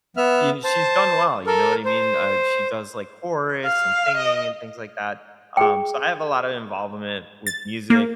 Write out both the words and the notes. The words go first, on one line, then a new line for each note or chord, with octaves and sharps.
You kn she's done well, you know what I mean? Uh, she does, like, chorus and singing and things like that, um, so I have a lot of involvement with music.
B3 E5 F6
C5 A5
A4 A#4
C5
F5 F6
D#5
G#4 G5
A6
A#3